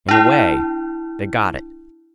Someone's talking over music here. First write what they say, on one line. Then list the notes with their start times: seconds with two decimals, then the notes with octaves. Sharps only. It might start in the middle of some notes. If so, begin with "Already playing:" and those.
In a way, they got it.
0.09 D4 E4